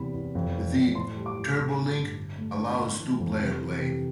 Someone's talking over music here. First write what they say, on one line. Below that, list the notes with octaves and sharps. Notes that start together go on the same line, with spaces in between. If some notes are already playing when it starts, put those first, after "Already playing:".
The "TurboLink" allows two-player play.
Already playing: E2 C3 B5
E2
F2
E3
F2
A2 C6
G3
D6
A2
D4
D3
G2
D3
A3
D3
D4 B5
E3
F2
C3
E3
C3